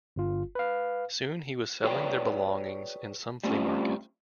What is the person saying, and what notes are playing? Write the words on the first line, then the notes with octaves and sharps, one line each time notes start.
Soon he was selling their belongings in some flea market.
G1 F4
B4 F5
F#4 G#4 B4 C#5 D5 G5
G3 A3 C4 C#4 F4